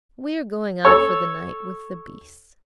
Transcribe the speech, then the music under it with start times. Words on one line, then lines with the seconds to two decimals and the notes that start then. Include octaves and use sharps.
"We are going out for the night with the beasts."
0.85 A4 C#5